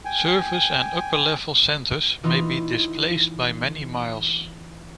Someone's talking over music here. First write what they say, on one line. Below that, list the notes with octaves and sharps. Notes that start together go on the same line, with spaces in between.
Surface and upper-level centers may be displaced by many miles.
G5 G#5
E3 D#4 F4